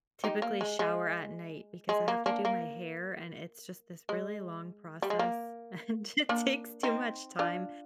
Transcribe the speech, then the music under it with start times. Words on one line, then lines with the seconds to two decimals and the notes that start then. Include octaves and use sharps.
typically shower at night because I have to do my hair, and it's just this really long process, and it takes too much time,
0.24 D#4 G4
0.42 A#3
0.61 G#3
0.79 G#3
1.89 G#3
2.08 A#3
2.26 A#3 D4
2.45 A#3
4.09 G#3
5.02 G3
5.10 G#3
5.19 A#3
6.29 A#3 D4
6.83 C4 D#4
7.39 D4 F4